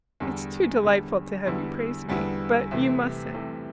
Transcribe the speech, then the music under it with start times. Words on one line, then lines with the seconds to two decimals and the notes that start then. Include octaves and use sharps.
It's too delightful to have you praise me--but you mustn't.
0.20 E2 D3 G3
0.83 E2 D3 G3
1.46 E2 D3 G3 B3 E4
2.09 E2 D3 G3 B3 E4
2.71 C2 C3 E3 A3
3.34 C2 C3 E3 A3